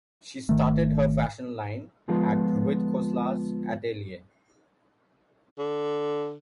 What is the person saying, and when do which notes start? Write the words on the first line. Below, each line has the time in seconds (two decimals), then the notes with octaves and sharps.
She started her fashion line at Rohit Khosla’s atelier.
0.49 G#1 D#3 A3
2.08 D2 F3 G#3 B3 F4
5.58 D3